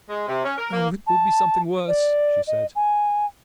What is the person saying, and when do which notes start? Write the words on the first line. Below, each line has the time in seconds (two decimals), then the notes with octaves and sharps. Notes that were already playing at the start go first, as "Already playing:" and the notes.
'Oh, it will be something worse,' she said.
0.09 G#3
0.28 C3
0.45 C#4
0.57 A#4
0.73 A#3
1.07 A5
1.88 D5
2.47 D#5
2.75 G#5